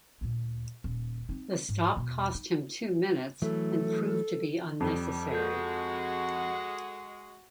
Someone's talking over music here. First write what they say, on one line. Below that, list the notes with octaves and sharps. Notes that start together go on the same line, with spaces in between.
The stop cost him two minutes, and proved to be unnecessary.
D2 A#2
D#1
C4 D#4
G#2
E2 B2
D#4
E3 F#3 A3 A4
F2 G3
G#3 F#4 A4 F#5 C#6 G6